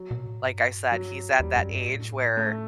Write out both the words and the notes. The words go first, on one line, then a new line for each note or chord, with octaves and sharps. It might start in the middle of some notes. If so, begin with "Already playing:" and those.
like I said, he's at that age where
Already playing: F#3
B2
A2
G2
F#3
E2 G3
F#2
G2
A2
A3